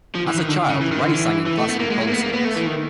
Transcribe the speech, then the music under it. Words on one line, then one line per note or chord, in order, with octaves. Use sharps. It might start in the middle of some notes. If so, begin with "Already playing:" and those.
As a child, Rae sang in classical concerts.
F3
E3
D#3
D3
C#3
E3
D#3
D3
E3
E3
A3
B3
A#3
G#3
A3
A#3
B3
A#3
B3
A3
E3
D#3